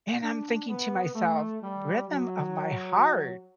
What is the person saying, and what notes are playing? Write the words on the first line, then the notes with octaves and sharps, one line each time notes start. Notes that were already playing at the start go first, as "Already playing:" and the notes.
and I'm thinking to myself, "Rhythm of my heart?"
D4
B3
A3
G3
F#3